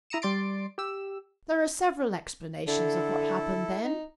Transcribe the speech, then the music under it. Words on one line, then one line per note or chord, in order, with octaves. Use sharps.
There are several explanations of what happened then.
E4 A#5 D#6 C#7 E7
G3 D5 C6 A6 C7 D7
G4 E6
D3 E4 A4
D#4